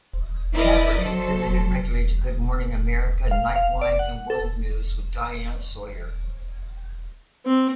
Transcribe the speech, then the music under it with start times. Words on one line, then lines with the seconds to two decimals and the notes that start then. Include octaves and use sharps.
Tapper contributed regularly to "Good Morning America", "Nightline", and "World News with Diane Sawyer".
0.54 E4 A#4 B4 D5 D#5
1.01 F#3 A4 C5
3.31 F5
3.56 F5
3.81 D5
3.99 F#5
4.30 A4
7.46 C4